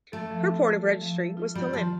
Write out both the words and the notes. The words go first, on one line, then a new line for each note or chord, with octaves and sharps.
Her port of registry was Tallinn.
A3 A4
F3
C4
F4
A4
F3
C4
F4
G3 F4
D#3 F3